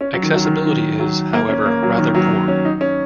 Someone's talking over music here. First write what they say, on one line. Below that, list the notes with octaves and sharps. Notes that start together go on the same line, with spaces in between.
Accessibility is, however, rather poor.
C#4
F#3
D#3
F#3
D#3
D#3
F#3
A#3
C#4
A#3
F#3
D#3
F#3
C#4
D#4
C#4